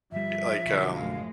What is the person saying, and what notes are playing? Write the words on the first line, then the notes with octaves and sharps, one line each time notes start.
like, um,
G1 F3 G3 E5
B1 B2 D3 E4 F#4
F#2 A2 G#3 F5